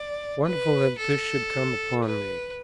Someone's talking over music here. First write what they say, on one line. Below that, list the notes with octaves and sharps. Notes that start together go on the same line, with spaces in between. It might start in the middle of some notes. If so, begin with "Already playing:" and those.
Wonderful that this should come upon me!
Already playing: D5
B4
A4
B4